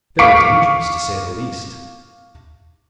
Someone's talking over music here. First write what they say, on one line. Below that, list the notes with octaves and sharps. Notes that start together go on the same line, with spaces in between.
"Very dangerous, to say the least."
F5 C#6 D6 B6 C#7 D7